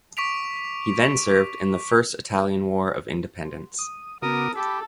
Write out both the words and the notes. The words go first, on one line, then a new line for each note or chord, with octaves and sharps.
He then served in the First Italian War of Independence.
C#6 D6 B6 D7 F7
D#6
C#3 B3 F#4 A#4 D6 D#6
G4 A4 B5